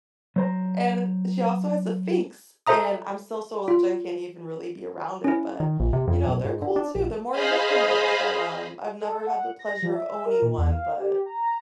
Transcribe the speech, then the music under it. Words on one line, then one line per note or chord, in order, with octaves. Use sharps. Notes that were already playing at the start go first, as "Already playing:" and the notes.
and she also has a Sphynx, and I'm so, so allergic that I can't even really be around it, but, you know, they're cool too, they're more independent. But, um, I've never had the pleasure of owning one, but
F#3 C5 A#5
A4 C5 E5 A#5 D#6
F4
C#4 E4
D#3
A#1
C3
F2
B1
G#2
D3
D4
A#1
G#4 C5 D#5 F5 B5
A4
F#5
A#6
F3
E5
A#4
A#2
E2
F5
G4
A#5